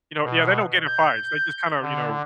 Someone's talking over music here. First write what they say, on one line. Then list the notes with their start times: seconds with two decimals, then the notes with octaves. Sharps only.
you know yeah, they don't get in fights, they just kinda, you know,
0.24 B2
0.87 G6
1.81 D3